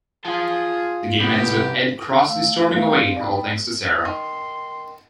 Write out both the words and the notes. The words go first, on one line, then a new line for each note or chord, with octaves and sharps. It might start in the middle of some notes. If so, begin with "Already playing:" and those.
The game ends with Ed crossly storming away, all thanks to Sarah.
F4 G#4 A5
C2 B3 G4
A3 F5 E6
A3 B3 D#4 F5
G3 C4
D#4 D5 G5 B5
D#3 C6